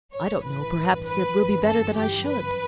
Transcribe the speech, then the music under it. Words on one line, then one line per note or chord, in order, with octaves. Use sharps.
"I don't know; perhaps it will be better that I should."
A1 G2 E3 C#5
B4
B4
G1 F#2 E3
A4
G4
B4